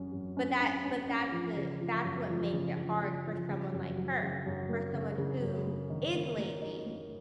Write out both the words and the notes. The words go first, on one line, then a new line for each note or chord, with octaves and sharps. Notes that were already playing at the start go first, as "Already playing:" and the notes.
but that but that's the that's what makes it hard for someone like her, for someone who is lazy
Already playing: F#2 C#4
F#2
C#4
C#4
C#4
C#4
F3
C#3
F3
F#2
F3
C#3
F3
C#3
F3
C#3
F#2
F#3
C#3
F#2
A#3
C#3
C#3
F#2
A#3
D#3
A#3
A#3
D#4
A#3